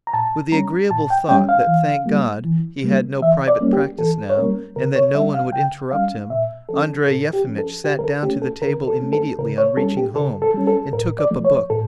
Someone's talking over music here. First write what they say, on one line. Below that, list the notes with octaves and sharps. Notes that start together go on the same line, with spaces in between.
With the agreeable thought that, thank God, he had no private practice now, and that no one would interrupt him, Andrey Yefimitch sat down to the table immediately on reaching home and took up a book.
A#5
A#2 A5
G3 C#4 A#5
A#2 A5
G5
G3 C#4 G5
F5
E3
G3 A#3
E3
G3 A#3
E3 E5
D5
G3 A#3 C#4
G4
E3 A4
C#5
G3 A#3 C#4 A#4
C#3 A#4
C#5
G3 C#4 E5
F5
C#3 G5
G3 C#4 F5
A#2 E5
F3 C#4 A4
A#2 A4
G4
F3 C#4
A4
D3 G4
A#4
A4
A3 C#4 G4
A4
D3 A#4
A4
A3 C#4
A4
C#3 A#4
C#5
G3 C#4 A4
G4
C#3 A4
A4
G3 C#4
A4
A2 A#4
D5
F3 A3
C#5
A2 A4